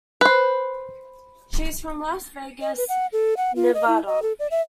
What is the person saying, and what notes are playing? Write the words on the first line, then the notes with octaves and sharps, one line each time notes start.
She is from Las Vegas, Nevada.
B4 C5
D#5
B4
F#5
A4
F#5
F4
D#5
E4
D#5
A4
D5
E5